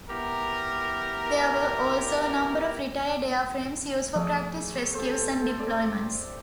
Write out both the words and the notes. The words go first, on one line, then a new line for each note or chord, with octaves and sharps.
There were also a number of retired airframes used for practice rescues and deployments.
B3 E4 G4 A#4
F3 A3 G#4 D5
G4 A4 C5
C4 D5